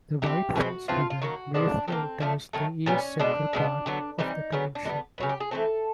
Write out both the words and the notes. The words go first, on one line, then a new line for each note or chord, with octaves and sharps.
The Whiteface River briefly enters the east-central part of the township.
E3 A3 C4 G4
B2 G#3 C4 F#4
C#3 E3 A3 C4 F4
F4
D#3 F#3 A#3 F#4
C3 F3 G#3 B3 D4
D3 G3 A#3 C4
D3 F3 A3
D#3 F#3 A3
A#2 G3 B3 C#4
B2 G#3 B3 D4
B2 G#3 B3
D3 F#3 B3
E3 G3 C4 D#4
C#3 F#3 B3
D4
D3 G3 B3 D#4
C#3 F#3 B3
G4
G#4
E3 A3 C4 A4